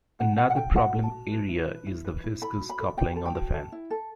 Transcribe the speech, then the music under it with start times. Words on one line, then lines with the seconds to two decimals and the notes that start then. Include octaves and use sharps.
Another problem area is the viscous coupling on the fan.
0.19 A4 F#5
0.38 F#4 F#5
0.50 F#5
0.56 A4 G5
0.75 F#4 F#5
0.94 A4
1.03 A5
1.11 F#4
1.31 B4
1.49 E4
1.68 B4
1.86 E4
2.05 B4
2.24 E4
2.41 A4 B5
2.61 F#4
2.69 B5
2.79 A4
2.97 F#4 G5
3.16 A4
3.25 G5
3.35 F#4
3.53 A4
3.72 E4
3.90 A4